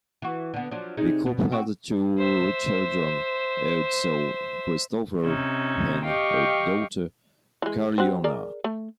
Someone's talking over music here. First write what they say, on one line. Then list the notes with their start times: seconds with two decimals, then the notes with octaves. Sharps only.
The couple had two children, a son Christopher and a daughter Karianna.
0.22 E3 F#4
0.54 D3 B3
0.71 F3 F#3 D4
0.97 C3 G#3 D#4
1.26 B2
1.52 C4 F#4
2.18 C5 E5
5.24 C3 C#4 D#4 E6 G#6
6.04 G4 D#5 F5 G5 C#6
7.62 E3 G#3
7.98 C4 F#4
8.24 G#4 A#4 D5
8.64 A3